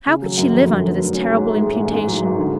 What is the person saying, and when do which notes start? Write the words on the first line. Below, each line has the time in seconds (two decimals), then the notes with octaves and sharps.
How could she live under this terrible imputation?
0.06 C#3
0.22 F#3
0.37 F#2
0.53 F2
0.68 D3
0.84 F1
0.99 F#3
1.14 C#4
1.30 G#2
1.45 A2
1.61 G#3
1.76 A1
1.92 G#2
2.07 F#3
2.22 G#1
2.38 D3